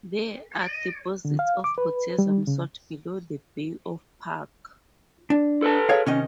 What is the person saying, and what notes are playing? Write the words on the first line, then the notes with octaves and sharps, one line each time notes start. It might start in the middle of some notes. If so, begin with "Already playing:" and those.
There are deposits of potassium salt below the Bay of Puck.
D3
F5
D6
B4
G3
C#3
D4
A4 B4 A5
G#4 C#5 F5
C3 D#3 C#4 D#5